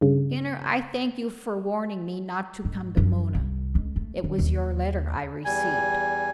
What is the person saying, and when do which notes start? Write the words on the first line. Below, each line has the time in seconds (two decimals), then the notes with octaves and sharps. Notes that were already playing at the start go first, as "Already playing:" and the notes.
Skinner, I thank you for warning me not to come to Mona--it was your letter I received.
0.01 G2 C#3
2.65 G#2
2.97 F#2
3.35 C2
3.75 C#2
3.96 A3
4.24 D#3
4.38 D#2
5.45 E2 G3 G#5